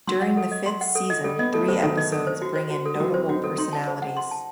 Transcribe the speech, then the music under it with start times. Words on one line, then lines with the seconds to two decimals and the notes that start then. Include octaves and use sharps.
During the fifth season three episodes bring in notable personalities.
0.07 F#3 C6
0.22 F#5
0.37 A4
0.52 D#5
0.66 C6
0.81 F#5
0.95 A4
1.10 D#5
1.24 G3 A4
1.39 B3 D#5
1.54 A3 A4
1.68 F#3 C5
1.83 D#3 A4
1.97 D#5
2.12 A4
2.27 C5
2.42 F#4
2.56 C5
2.71 F#4
2.85 A4
2.95 G3
3.00 F#3 F#4
3.14 C4 C5
3.29 D#4 F#4
3.44 C4 A4
3.58 D#4 C6
3.73 A5
3.87 C5
4.02 F#5
4.17 C6
4.31 A5